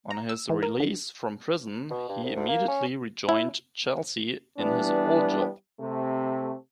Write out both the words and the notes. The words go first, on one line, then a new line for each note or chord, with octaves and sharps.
On his release from prison, he immediately rejoined Chelsea in his old job.
A#5
E6
E3
A#4
D3
B2
G2
C2
D2
A#3
C#4
E4
E3 G3 B3 D4
C3 A3